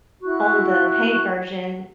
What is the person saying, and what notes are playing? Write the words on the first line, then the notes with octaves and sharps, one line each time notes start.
on the paid version,
E4 F#4 C#6 F#6